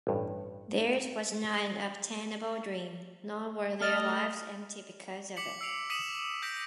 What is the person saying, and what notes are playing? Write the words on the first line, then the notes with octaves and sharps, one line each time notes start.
Theirs was not an unobtainable dream; nor were their lives empty because of it.
A1 G2
A3 D#5 F6 A6
D6 B6 C#7 F#7
E6 C7 D7 F7
D#6 B6 C#7 D#7 E7 F#7
E6 G6 A#6 B6 D7